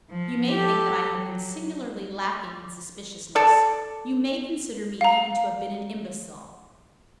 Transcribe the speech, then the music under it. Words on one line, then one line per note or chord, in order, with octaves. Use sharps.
You may think that I had been singularly lacking in suspiciousness; you may consider me even to have been an imbecile.
F3
G4 A4
F#3
A4 D5
F5 A#5